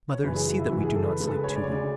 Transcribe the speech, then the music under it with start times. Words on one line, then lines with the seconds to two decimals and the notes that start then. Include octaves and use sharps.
Mother, see that we do not sleep too long.
0.13 C#5
0.23 F#1 F#2 E3 B4
0.35 G#4
0.48 F#4
0.59 E4
0.71 F#1 F#2 E3 F#4
0.83 G#4
0.95 A4
1.08 B4
1.19 D2 C#3 G#3
1.27 A4
1.31 B4
1.43 C#5
1.55 D5
1.63 C#5
1.68 D2 C#3 G#3 D5